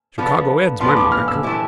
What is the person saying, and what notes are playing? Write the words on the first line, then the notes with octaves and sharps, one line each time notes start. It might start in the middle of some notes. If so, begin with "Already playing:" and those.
"Chicago Ed.'s my monaker."
D3 F3 B3 F4 B4
D3 F3 B3 F4 B4 C6
D6
F6
E6
E3 A3 E4 G4